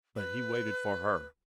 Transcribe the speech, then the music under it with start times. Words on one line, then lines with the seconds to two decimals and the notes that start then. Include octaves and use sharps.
But he waited for her.
0.16 B4